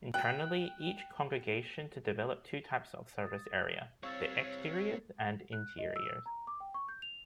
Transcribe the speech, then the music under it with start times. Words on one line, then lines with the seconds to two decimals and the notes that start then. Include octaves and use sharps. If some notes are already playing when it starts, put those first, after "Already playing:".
Internally each congregation to develop two types of service area: the exteriors and interiors.
0.14 G5 F#6
3.22 D#6 A6
4.03 G3 C4 C#5 F5 E6 A6
5.53 F#6
5.79 D#5
5.96 E6
6.26 A#5
6.47 D6
6.60 G5
6.74 C#6
6.89 G6
7.02 F7